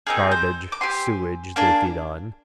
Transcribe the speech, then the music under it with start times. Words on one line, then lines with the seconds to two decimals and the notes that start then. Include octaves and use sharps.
Garbage, sewage they feed on.
0.07 C4 D#4 G#4 A#4
0.31 C5
0.72 D6
0.81 C4 G4 G#5 C6
1.56 A#3 D4 G#4